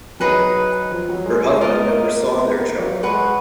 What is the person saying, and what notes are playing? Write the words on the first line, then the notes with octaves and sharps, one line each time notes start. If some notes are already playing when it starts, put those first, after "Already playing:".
Her husband never saw their child.
F#3 D#4 G#4 B4
F3
F#3
G#3
G#3
B3 F4 A#4 D#5
A#3
A#3
B3
A#3
F#3
G#3 B4 F#5 C#6